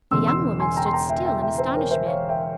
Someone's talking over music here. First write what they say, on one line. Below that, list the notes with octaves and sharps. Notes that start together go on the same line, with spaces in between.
The young woman stood still in astonishment.
E1 E2 C#3 C6 E6
C6 E6
G#5 C6
G5 A#5
C6
G5 A#5
E5 G5
E5 G5
E5 G5
C5 E5
A#4 C#5
C5 E5
C#5 F5
E5 G5